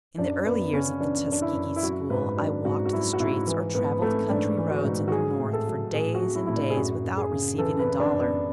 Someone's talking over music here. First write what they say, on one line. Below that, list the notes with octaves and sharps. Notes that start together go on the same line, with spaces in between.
In the early years of the Tuskegee school I walked the streets or travelled country roads in the North for days and days without receiving a dollar.
F#2 D4
F#2 B3
C#3 C#4
E3 D4
F#2 D4
E4
F#2
E4
F#3 F#4
G#2 B4
F#3 D4
G#2 F#4
F#4
F#3 E4
F#4
G#2 E4
E3
G#2 B3
E3 A3
G#2 D4
E3
F#4
G#2
F#4
F#3 G#4
A2
A4
F#3
A2 G#4
F#4
F#3
E4
A2 E4
D4
G#4
F#2 F#4
F#2
G#4
C#3
E3 A4
B4
F#2
D4
F#2
B3